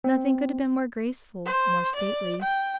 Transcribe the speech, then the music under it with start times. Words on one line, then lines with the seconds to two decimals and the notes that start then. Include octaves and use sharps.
Nothing could have been more graceful, more stately.
0.04 C4
1.45 C5
1.96 D5
2.42 G5